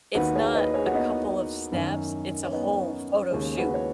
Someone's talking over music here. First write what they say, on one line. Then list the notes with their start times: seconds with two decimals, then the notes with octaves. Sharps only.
it's not a couple of snaps, it's a whole photo shoot.
0.15 D#2 D#3 F#4 B4
0.35 G#4 C#5
0.54 B4 D#5
0.74 G#4 C#5
0.86 F#4
0.93 B3 D#4
1.72 F#2 D#3
2.44 C#4
2.52 B3 D#4
3.31 D#2 C#3 G#3 C#4
3.53 G#4
3.57 F#4 B4
3.74 C#5